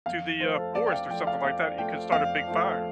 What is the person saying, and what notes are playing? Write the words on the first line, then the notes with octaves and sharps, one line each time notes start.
to the, uh, forest or something like that? You could start a big fire.
F2 F5
F3 A3 C5
A4
F2 D5
G5
F5
F3 A3 G5
F5
F2 F5
F3 A3 G5
F2 F5
F3 A3